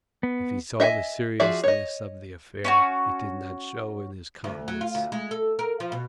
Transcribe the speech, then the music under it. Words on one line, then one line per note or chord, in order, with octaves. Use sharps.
If he saw the seriousness of the affair, it did not show in his countenance.
B3
D#5 E5 F#5 G#5
F3 F#4 G#4 D5 E5
C#5 D#5
C#4 E4 F#4
D2
F#3
F4
D2
G#3
A4
A#4
F3
B2